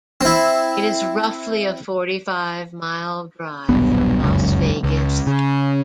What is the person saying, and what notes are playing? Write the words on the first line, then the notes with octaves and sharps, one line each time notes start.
It is roughly a forty-five mile drive from Las Vegas.
C4 E4
D#1 B1 G2 B3
F1 C#2 F#2
C#2
C#3